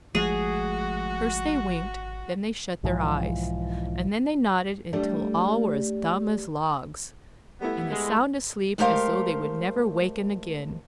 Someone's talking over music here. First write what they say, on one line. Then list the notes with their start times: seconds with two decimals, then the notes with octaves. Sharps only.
First they winked, then they shut their eyes, and then they nodded until all were as dumb as logs, and as sound asleep as though they would never waken again.
0.15 G#1 F3 G#3 A3 F#4 G#4
2.83 B1 G#2 E3 F3
4.93 G3 A3 D4
7.61 G3 A3 B3 E4
7.92 G#3
8.78 G#3 A3 G4 A#4 C5 F5